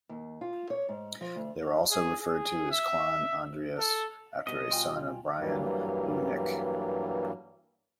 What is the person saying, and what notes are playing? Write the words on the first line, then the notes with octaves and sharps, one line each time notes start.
They were also referred to as Clann Andrias after a son of Brian Luighnech.
D#2
F4
C#5
G#2
F3
D2
G#4
G#4
E5
A4
B2 G3 D#5
F4 G5 G#5
G2 E3 F#3 G3 A#3